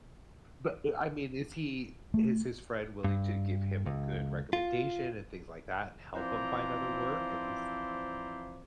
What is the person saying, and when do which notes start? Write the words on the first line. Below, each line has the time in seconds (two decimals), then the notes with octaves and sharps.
But, e I mean, is he is his friend willing to give him a good recommendation and things like that and help him find other work, at least
2.14 A3
3.04 G2
3.86 C#2
4.53 F4
6.15 E3 F3 C4 C5 D5 A#5